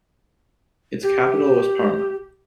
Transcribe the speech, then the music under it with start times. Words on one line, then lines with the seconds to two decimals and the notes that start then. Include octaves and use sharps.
Its capital was Parma.
1.03 G4